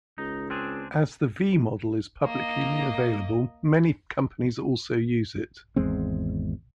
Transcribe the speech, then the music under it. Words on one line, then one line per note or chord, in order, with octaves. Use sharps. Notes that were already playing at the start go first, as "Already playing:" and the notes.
As the V-model is publicly available many companies also use it.
C#2 D#4
C4 D4 G#4
A#3 D#5
G#1 E2 G#3 C4